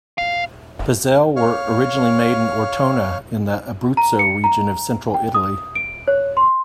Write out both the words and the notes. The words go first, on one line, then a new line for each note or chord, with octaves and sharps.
Pizzelle were originally made in Ortona, in the Abruzzo region of central Italy.
F5
C#5 F5
A#5
C#7
A#5
G5
D#6
D7
C#5
C6